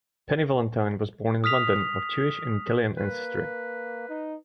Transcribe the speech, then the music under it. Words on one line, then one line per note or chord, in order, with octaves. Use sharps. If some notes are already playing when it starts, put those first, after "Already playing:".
Penny Valentine was born in London, of Jewish and Italian ancestry.
D#6 F6 B6 F7
A#3 B4
D#4